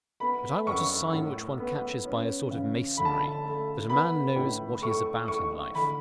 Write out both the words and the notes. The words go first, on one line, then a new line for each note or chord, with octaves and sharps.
But I want a sign which one catches by a sort of masonry, that a man knows what he is about in life.
B3 B5
F#2 C#6
A2
B3
C#4
C#3
D3 B5
A5
B5
A3
B3 B5
A2
A3 C#6
A3 C#6
D3 B5